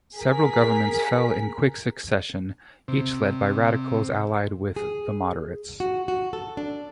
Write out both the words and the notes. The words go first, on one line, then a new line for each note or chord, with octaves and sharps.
Several governments fell in quick succession, each led by radicals allied with the "moderates".
G#4 A#4 B6
C3
G#4
F#4
F#4
A4
D4